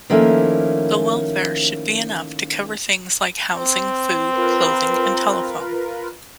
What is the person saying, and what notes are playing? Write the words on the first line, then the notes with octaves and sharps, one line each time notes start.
The welfare should be enough to cover things like housing, food, clothing and telephone.
D#3 F3 A3 A#3 C#4 E4
C4
F4 A#4 B4